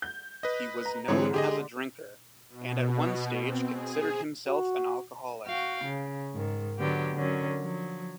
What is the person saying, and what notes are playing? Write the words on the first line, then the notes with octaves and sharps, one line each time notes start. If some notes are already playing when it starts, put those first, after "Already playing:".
He was known as a drinker, and at one stage considered himself an alcoholic.
G6
B4 D#5
A#5
G#2 D3 E3 C4 G#4 C#5
D3 G4 G#4 D#5
B2
C4
G#4
F#4
F#4 F5 G5
C#3
G#2 D#3
D3 F#3 B3 G4
D3 D#3 F#3 C#4
F3 F#3